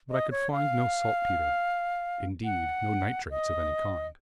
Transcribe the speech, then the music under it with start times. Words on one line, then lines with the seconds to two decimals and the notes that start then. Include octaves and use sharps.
But I could find no saltpeter; indeed, no nitrates of any kind.
0.10 D#5
0.31 C#5
0.52 F5
2.45 F#5
3.30 D#5